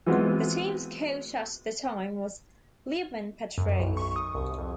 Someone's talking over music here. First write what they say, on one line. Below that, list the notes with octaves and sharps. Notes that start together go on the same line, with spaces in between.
The team's coach at that time was Lyuben Petrov.
E3 F#3 G#3 B3 C4 F4
F#2
B1
C#6
D#6
C2
F2